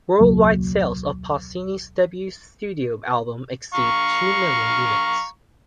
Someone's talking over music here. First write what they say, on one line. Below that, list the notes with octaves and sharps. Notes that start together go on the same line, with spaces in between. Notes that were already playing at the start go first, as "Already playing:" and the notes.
Worldwide sales of Pausini's debut studio album exceed two million units.
E1 C#2 F#3 A#3
F5 A#5 C#6